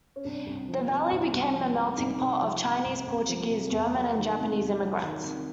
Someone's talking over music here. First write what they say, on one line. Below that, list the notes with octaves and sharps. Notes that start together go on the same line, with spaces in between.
The Valley became a melting pot of Chinese, Portuguese, German, and Japanese immigrants.
C#4
C2 D4
C2
F3
C3
C2
C2
F3
C3
C2 D#4
C2
F3
C3
C2
C2
F3
C3
E2
F#3
D#3
C3
E2
F#3
D#3
C3